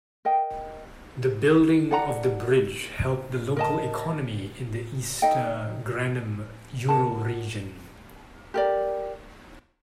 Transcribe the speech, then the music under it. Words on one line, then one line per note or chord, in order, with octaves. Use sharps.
The rebuilding of the bridge helped the local economy in the Ister-Granum Euroregion.
A#4 D#5 G5
A4 D5 F#5 A#5
A#4 D#5 A5
D#4 A4 D#5 G5
A#4 F#5 A5
G4 A#4 D5